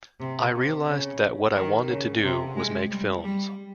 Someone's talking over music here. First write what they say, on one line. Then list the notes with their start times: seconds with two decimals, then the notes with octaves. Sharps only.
I realized that what I wanted to do was make films.
0.20 C3
0.54 C3
0.87 C#3
1.55 D#3
1.88 C#3
2.23 C3
2.56 G#3
2.90 G3
3.25 G3